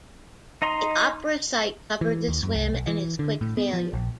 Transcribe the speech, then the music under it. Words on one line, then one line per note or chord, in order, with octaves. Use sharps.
The Opera site covered the swim and his quick failure.
D#4 D#5 A#5 C6
E3
D#2
F#2
C2
B1
E3
D3
A2
B3
F3
A#1